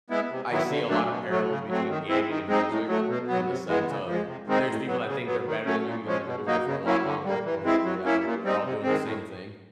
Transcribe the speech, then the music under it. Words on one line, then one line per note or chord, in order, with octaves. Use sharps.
I see a lotta parallels between gaming and music, in the sense of, there's people that think they're better than you because they've been doing it for a lot longer, when we're reality, we're all doing the same thing,
G#3 B3 E4
C3
D#3 F#3 B3 E4
D3
F#3 A3 D4
B2
F#3 A3
C#3
F#3 A3 C4
D#3
G#3 C4 E4
D#3
G#3 C4 D#4
A2
F#3 A3
B2
F#3 B3
C3
E3 G#3 B3
C#3
F3
G#3
C3
D#3 G#3 C4 D#4
A2
F#3 B3
C#3
F#3 B3
D#3
F#3 A3 C#4
A#2
F3 G#3 C#4
B2
F#3 A#3 D#4
C#3
F#3 A#3 C#4 E4
D3
G3 A#3
E3
G#3 C4 E4
F#3
A#3 C#4 E4
A#2
G3 C4 D#4
C3
D#3 G#3 C4
A2